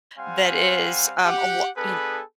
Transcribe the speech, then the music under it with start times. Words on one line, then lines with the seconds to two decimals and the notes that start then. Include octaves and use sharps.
that is, um, a lo y kn
0.19 G3 C4 C5 F5 F#5 G#5
1.25 G4 F#5
1.77 B3 D4 G#4 A4 B4